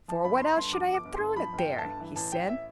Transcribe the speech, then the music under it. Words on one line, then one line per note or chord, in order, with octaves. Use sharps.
"For what else should I have thrown it there?" he said.
F3 A5
G1 B5
G1 C6
G2 C6
F3 D6
G1
D6
G1
C6
G2
F3 B5
G1
G5
G1
A5
G2
E3
A1 A5
A1 G5
E5